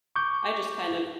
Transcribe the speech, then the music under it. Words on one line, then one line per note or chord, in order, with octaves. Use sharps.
I just kind of
C#6 D6 G6